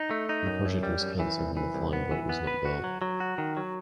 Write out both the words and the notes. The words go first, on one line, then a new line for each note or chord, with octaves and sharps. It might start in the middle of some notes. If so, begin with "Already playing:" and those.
The project was cancelled and the flying boat was not built.
Already playing: D#4
A3
D#4
F#2
F#2
G3
F#2
E3
C2
E3
C2
B3
E3
B3
B4
F#4
F#3
F#3
F#4
D#3
F#3